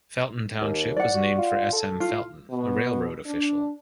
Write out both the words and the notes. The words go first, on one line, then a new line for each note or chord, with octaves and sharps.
Felton Township was named for S. M. Felton, a railroad official.
D#2
D5 F#5
F#4
F4
A4
F4
B2
D4